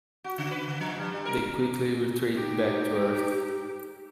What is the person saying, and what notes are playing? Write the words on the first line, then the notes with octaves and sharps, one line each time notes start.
They quickly retreat back to Earth.
F#4
C#3
B4
C#3
F3
G2
G3
A#4
D#4 G4